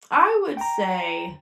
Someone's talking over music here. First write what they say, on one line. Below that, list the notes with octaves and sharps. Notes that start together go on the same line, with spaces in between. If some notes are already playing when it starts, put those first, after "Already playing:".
I would say,
G5 A#5